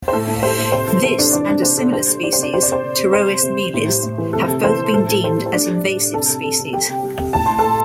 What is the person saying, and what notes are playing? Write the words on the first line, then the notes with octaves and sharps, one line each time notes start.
This and a similar species, "Pterois miles", have both been deemed as invasive species.
C5
A2 A4
A2
G3 C5
A2
C3 C5
E3 A4
C3 C5
C3 D4 D5
E3 D4 D5
C3 D4 D5
C3 C5
C3 A4
G3 C5
G3
G3 D5
C5
C3 D4 D5
C3 C5
D5
C3 C5
C3
C3
G3 C5
C3
C3
C3
A2
G3
A2
E3
C3 A4
C3
E3 C5
E3
A2 A4
A2
G3 C5
G3
C5
G3 D4 D5
G3
G3
G3
C3 A4 A5
C3
C3
C3
G3 G4 G5
C3
G3
C3
A2 A5
A2 C6
A2 A4 A5